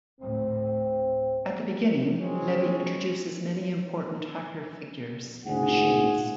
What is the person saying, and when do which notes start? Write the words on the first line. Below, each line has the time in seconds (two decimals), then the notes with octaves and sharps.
At the beginning, Levy introduces many important hacker figures and machines.
0.20 D2 A2 C4
2.19 F3 F#3 G#3 C4 C#4
5.45 D2 G#2 F4 G#4 F#5